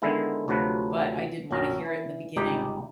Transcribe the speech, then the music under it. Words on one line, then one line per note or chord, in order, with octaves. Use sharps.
but I didn't wanna hear it in the beginning
D3 D#3 G#3 B3 E4
D2 C3 F3 F#3 B4
A#1 F#2 C#4 A#5
E3
G#1 C#2 G3 D#4 G4